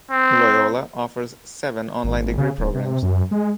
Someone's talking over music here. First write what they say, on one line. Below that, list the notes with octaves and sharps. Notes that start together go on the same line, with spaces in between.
Loyola offers seven online degree programs.
C4
G#1
C#3
D1
C3
F#2
G#3